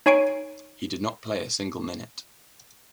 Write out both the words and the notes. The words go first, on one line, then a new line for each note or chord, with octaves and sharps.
He did not play a single minute.
D#4 C#5 G#5 C#6 C7 D7